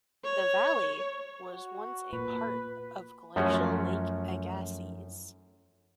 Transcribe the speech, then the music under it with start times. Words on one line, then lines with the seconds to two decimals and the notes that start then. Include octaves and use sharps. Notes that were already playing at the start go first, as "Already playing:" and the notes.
The Valley was once a part of glacial Lake Agassiz.
0.24 C#5
1.53 F#4
2.13 A#2 B4
3.36 F#2 F3 A3 C#4 F#4